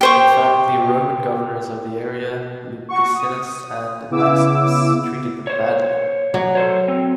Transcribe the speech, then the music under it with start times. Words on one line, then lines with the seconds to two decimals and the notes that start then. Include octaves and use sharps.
In fact, the Roman governors of the area, Lupicinus and Maximus, treated them badly.
0.01 G4 C5 C#6
2.89 F#4 C#6
3.15 D#6
4.10 C#3 B3 E4 D6 E6
5.47 C5 C#5
6.34 F#3
6.55 A4 C5 C#5
6.88 C4